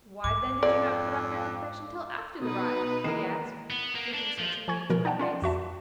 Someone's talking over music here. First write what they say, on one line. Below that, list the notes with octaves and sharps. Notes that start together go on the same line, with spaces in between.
"Why, then, did you not put off your confession until after the ride?" he asked, looking searchingly into her face.
G#2 D6
F2 D5
B2 D#4 B4 D#6
D#2 E3 G#3 A#3 A#4 C7 E7
B3
A#3
D4
F3
F3 G#5 C#6 G#6
B2 F3 A#4
D#4 D5 F#5 G5 A5
C#4 F4 D5
F2 F#4 E5 A5